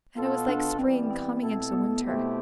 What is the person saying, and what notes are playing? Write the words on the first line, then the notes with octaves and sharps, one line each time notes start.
And it was like spring coming into winter.
B2 B3 F4 A4
D4
E3 G3 B3 C4
C4
B2 A3 E4 A4
B3
B2 A3 C4 E4 G4